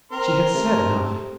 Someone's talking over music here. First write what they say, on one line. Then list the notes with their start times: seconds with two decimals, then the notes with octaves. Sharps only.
She had said enough.
0.12 C4 A#4 C6
0.53 C3 A3